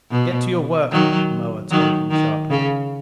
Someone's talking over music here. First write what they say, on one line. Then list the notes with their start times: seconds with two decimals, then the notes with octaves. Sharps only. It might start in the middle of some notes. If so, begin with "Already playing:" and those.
"Get to your work," Moa told him sharply.
0.11 B2
0.91 D#3 F#3
1.71 D#3 F#3
2.11 D#3
2.50 C#3